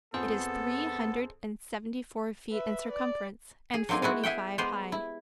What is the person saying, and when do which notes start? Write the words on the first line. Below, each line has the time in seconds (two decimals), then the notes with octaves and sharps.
It is three hundred and seventy-four feet in circumference and forty-five high.
0.14 F2 B3 G#4 A4 C5
2.51 B4 E5
2.91 D5
3.74 G#4
3.89 F#3 A#3 C4 D#4 G#4
4.02 G#3 B3 E4 F#4
4.23 G#4 E5 F#5 G5
4.58 G#3 B3 G4 C5
4.92 E4